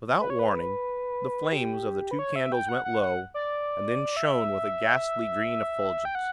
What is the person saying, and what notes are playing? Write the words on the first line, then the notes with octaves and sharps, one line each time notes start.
Without warning, the flames of the two candles went low, and then shone with a ghastly green effulgence.
B4
C#5
B4
G4
B4
C#5
E5
G5
F#5
F#5
F#5
D5
E5
G5
F#5